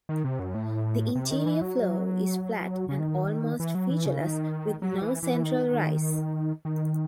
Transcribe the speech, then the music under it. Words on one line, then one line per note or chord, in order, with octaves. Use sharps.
The interior floor is flat and almost featureless, with no central rise.
D#3
C3
F#2
A2
C3
D#3
E3
F#3
C#3
D#3
E3
F#3
E3
C#3
D#3
F#3
E3
E3
D#3
D#3